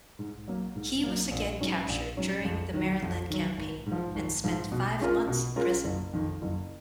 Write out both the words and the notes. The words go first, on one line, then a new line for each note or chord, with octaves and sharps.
He was again captured during the Maryland Campaign and spent five months in prison.
G#2
F#3 A#3
G#2
F#3 A#3
A#1
G#2 F#3 C#4
A#1
G#2 F#3 C#4
F2
D#3 F#3
F2
D#3 F#3
G#1
G#2
F3
G#1
G#2 F3
B2
G#3 C#4 F4 A#4
B2
G#3 C#4 F4 A#4
F#1
F2 D#3
F#1